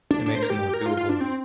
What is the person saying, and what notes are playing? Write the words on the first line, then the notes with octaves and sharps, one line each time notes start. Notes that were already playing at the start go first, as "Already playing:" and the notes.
It makes it more doable.
D4
D4
C5
A#4
G4
A#4
F4
F4
D4
C4